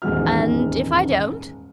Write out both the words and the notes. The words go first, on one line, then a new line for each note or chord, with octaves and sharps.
"And if I don't?"
D#1 E2 G#2 F6